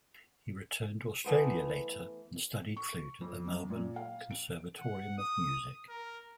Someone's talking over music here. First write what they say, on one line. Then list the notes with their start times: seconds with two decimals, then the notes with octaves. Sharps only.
He returned to Australia later and studied flute at the Melbourne Conservatorium of Music.
1.24 E3 A3 B3 C5
2.77 C#6
3.21 F2
3.48 F#2
3.70 A#2
3.96 F5
4.31 D7
4.77 F#5
5.18 D#6
5.89 A#4